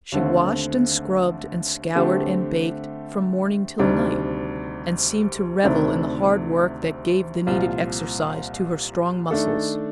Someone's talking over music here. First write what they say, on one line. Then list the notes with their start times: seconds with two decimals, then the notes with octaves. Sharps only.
She washed and scrubbed and scoured and baked from morning till night, and seemed to revel in the hard work that gave the needed exercise to her strong muscles.
0.12 D#2 D3 A3 C4
1.95 D3 A3 C4 G4
3.79 D2 C3 D#3 G3 D4
5.63 D2 C3 D#3 A3 D4
7.47 C2 A#2 F3 C4 F4
9.31 D#3 A3 D4 A4